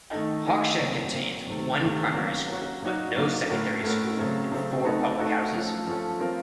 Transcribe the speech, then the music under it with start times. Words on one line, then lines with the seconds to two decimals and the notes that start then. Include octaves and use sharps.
Hawkshead contains one primary school but no secondary school and four public houses.
0.11 D#3 A3 D#4 A4 D#5
0.44 D#3 A3 D#4 A4 D#5
0.78 A#2 F#3 C4
1.13 A#2 F#3 C4
1.46 C3 D#3 A3
1.80 C3 D#3 A3
2.14 F#3 A#3 C#4 F#4
2.47 F#3 A#3 C#4 F#4
2.81 A#2 F#3 A#3 D#4 F#4
3.15 A#2 F#3 A#3 D#4 F#4
3.49 A2 A3 C#4 F#4 A#4
3.83 A2 A3 C#4 F#4 A#4
4.17 C#3 F#3 A3 C4
4.51 C#3 F#3 A3 C4
4.85 A3 D#4 F#4 A4
5.19 A3 D#4 F#4 A4
5.53 F3 A3 C#4 A4
5.87 F3 A3 C#4 A4
6.20 F3 C4 F4 A#4